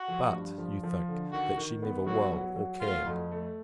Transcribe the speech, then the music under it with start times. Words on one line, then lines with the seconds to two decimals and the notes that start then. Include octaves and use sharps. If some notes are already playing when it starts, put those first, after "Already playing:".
But, you think, that she never will, or can.
Already playing: F#4
0.08 F3
0.33 G2
0.58 F3
0.83 F3
1.08 D3
1.32 D#3 F#4
1.58 D#3
1.83 B3
2.06 F#3 F#4
2.32 F#3
2.56 F#3
2.81 A3 F4
3.06 F2
3.31 A3